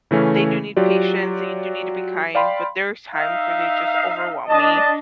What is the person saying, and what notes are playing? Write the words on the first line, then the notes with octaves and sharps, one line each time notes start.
they do need patience, and you do need to be kind, but there's times where they just overwhelm me,
C#3 E3 A3 C#4
F#3 F4 G4 D5
D5 F5 G5 B5 C6
D#4 E5 F5
D4 D#5 A5